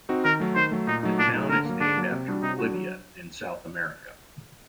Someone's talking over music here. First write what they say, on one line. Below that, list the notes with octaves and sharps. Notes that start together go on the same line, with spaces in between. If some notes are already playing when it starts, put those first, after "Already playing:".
The town is named after Bolivia, in South America.
C4 D#4 F#4
D#3 A#4
F#3 A3
D#3 C5
F#3 A3
A#2 D#4
F#3 A3 D#4
A#2 D4
F#3 A3 D#4
D3 A#4
F#3 A#3
D3 D4
F#3 A#3
C3
G3 D4 F#4
C3 D#4
G3 D4 F#4
F#3